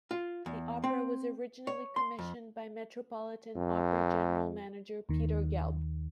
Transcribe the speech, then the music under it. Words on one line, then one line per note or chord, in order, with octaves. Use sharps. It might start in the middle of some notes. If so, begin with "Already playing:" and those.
The opera was originally commissioned by Metropolitan Opera general manager Peter Gelb.
F4
E2
C4
C#5
C6
F2
F2
D#2 D#3